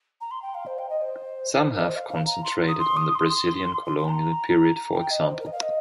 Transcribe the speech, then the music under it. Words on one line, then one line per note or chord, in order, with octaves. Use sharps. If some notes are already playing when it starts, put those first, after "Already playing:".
Some have concentrated on the Brazilian colonial period, for example.
A#5
C6
G5
F5
C5
G5
D#5
C5
A#4
D#5
C5
F5
F5
A#5
C6
D#6
C6
D#6
C6
C6
C6
G5
A#5
G5
D#5
C5
A#4
D#5
F5
D#5